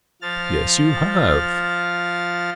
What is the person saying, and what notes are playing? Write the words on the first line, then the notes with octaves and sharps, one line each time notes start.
"Yes, you have."
F3 F6 A6